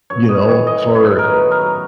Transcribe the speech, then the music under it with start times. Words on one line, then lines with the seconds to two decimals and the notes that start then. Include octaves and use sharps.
you know, for
0.10 F#2 C#5
0.29 B3 D#5
0.48 E3 C#5
0.67 D#3 D#5
0.86 F#2
0.95 C#5
1.04 D#3
1.19 F#3 A#4 B4
1.43 B3
1.51 A#4
1.61 F#3